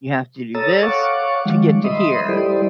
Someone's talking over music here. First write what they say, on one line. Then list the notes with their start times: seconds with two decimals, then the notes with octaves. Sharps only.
you have to do this to get to here."
0.55 A4 C#5 A#5 D#6 E6 A6
0.83 C#5 F5 F#5 C#6 D6
1.46 D#3 F3 G3 G#3
1.84 D#5 E5 B5 C6 D#6
2.29 G3 E4 G4 A4 C5 D5